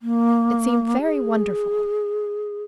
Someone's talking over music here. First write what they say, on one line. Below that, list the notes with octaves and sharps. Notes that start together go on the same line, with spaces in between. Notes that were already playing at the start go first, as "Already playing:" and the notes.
It seemed very wonderful!
A#3
G#4